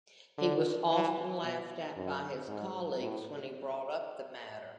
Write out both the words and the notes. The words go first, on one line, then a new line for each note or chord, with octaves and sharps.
He was often laughed at by his colleagues when he brought up the matter.
D3
E3
B2
F#2
G#2
A2